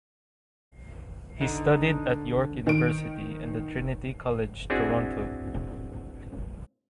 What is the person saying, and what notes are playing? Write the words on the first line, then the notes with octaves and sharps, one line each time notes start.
He studied at York University and the Trinity College, Toronto.
D3 D#4
D#3 D7
C4 D4 E4 F#4 G#4